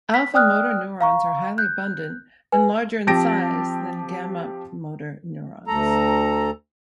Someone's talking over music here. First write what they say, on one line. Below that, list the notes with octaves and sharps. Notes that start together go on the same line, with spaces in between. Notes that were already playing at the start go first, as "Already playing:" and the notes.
Alpha motor neurons are highly abundant and larger in size than gamma motor neurons.
B6
D5 G5 D#6 F6 F#6
F5 A#5 C#6
F#6 G6
B4 G#5
F3 C4 G4 A5 A#6 D7
D2 A4 A#5